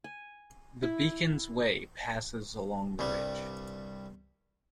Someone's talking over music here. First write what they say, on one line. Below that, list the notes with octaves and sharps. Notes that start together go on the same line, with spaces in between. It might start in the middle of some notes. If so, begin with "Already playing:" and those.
The Beacons Way passes along the ridge.
G#5
E4
C2 G2 G3